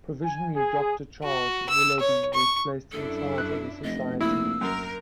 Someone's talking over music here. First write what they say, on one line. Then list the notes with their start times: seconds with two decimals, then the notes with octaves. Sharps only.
Provisionally Doctor Charles Willoughby was placed in charge of the society.
0.23 G#5
0.55 G#4
1.23 F#4
1.69 E6
2.00 C#5
2.34 C#6
2.92 F#2 D4 E4 A4
3.38 F#6
3.84 F1 D#5
4.21 D2 A#3 E4 E6
4.61 F#2 A#4